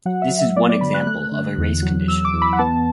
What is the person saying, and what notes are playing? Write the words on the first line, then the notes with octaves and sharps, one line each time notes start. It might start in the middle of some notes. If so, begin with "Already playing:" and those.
This is one example of a race condition.
F#3 F#5
E5
F#3
E5
B3 D5
D5
D3 B5
F#6
A3 F#6
D3
E2
F#3
E2 E6
D6
E2
B5
F#5
B3 A5